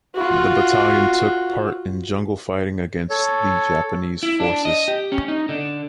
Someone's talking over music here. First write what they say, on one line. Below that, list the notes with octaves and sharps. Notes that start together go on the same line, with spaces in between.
The battalion took part in jungle fighting against the Japanese forces.
F4 F#4
A4 C#5
E4
D4
D#5
G4
C#4
D#4
D3